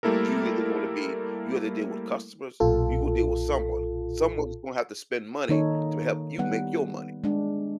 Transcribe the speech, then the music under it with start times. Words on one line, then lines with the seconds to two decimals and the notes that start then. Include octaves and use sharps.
You either gonna be you either deal with customers or you gonna deal with someone. Someone's gonna have to spend money to help you make your money,
0.03 G3 A3 A#3 E4 A4 A#4
2.60 B1 A#2 F4 A4
5.49 D#3 A#3 D#4 A4 C#5
6.38 G3 B3 F#5
7.24 G#3 D4